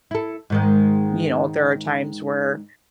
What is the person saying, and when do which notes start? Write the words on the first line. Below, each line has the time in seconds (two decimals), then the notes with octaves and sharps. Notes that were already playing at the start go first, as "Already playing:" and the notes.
you know, there are times where,
0.11 E4 A4
0.50 G#2 D#3 G#3